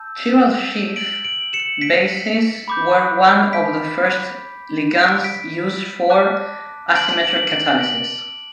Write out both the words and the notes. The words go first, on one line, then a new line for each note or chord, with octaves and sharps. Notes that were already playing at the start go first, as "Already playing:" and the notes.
Chiral Schiff bases were one of the first ligands used for asymmetric catalysis.
Already playing: A5 E6 G6
D7 F#7
D7 F#7
C#7 E7
B6 D7
B5 D6 G6
B6 D7
B6 D7
A5 D6 F#6
D7 F#7
D7 F#7
D7 F#7
D7 F#7